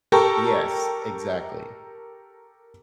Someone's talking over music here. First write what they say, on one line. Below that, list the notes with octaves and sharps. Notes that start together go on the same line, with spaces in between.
Yes, exactly.
G4 A4 A#4 G5 C#6